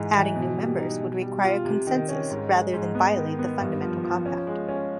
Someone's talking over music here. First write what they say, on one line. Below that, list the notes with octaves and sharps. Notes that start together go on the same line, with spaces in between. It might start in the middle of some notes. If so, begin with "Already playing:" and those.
Adding new members would require consensus rather than violate the fundamental compact.
Already playing: G#2 E3
E3
B2
G3
D#4
B2
G3
F4
C3
D#3
C#4
G#2
G#3
G#2
B3
D#3
B3
G2
F3
F3
C#4
G#3
C#4